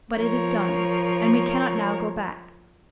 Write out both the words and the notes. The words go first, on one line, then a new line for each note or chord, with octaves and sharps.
But it is done, and we cannot now go back.
F3 A#4 C#5